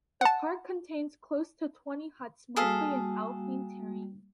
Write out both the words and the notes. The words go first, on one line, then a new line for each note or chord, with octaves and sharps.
The park contains close to twenty huts, mostly in alpine terrain.
F#5 A5
G3 A#3 F#4 G#4 A4 F5